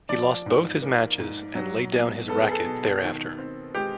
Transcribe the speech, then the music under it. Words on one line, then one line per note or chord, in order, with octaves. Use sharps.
He lost both his matches and laid down his racket thereafter.
F3 D5
G#2
A#3
G#2
F#3
B2
B3 A4
G#4
A4
B2
D#3
C4
G#3 G4